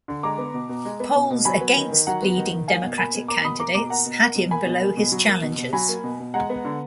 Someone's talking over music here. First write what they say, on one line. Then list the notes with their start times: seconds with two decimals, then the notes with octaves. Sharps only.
Polls against leading Democratic candidates had him below his challengers.
0.08 D3
0.23 G#3 A#5 D6
0.38 B3
0.54 B2
0.69 B2
0.85 G#3
1.00 B3
1.16 B2
1.30 B2
1.45 F#3 G#5 B5
1.61 B3
1.76 D#3
1.91 D#3
2.07 F#3 F#5 A#5
2.22 B3
2.37 D#3
2.52 D#3
2.68 A#3 F5 G#5
2.83 B2
2.98 A#3 G#5 B5
3.14 B2
3.28 A#3 A#5 D6
3.44 B2 B5 D#6
3.59 A#3 A#5 D6
3.74 B2 A#5 D6
3.90 A#3 F#5 A#5
4.06 B2
4.21 A#3
4.35 B2
4.51 A#3 G#5 B5
4.66 B2
4.81 A#3
4.97 B2
5.12 F#3
5.27 A#3
5.42 B2
5.57 B2
5.73 F#3 G#5 B5
5.88 A#3
6.04 B2
6.20 B2
6.34 G#3 F#5 A#5
6.50 B3
6.65 D3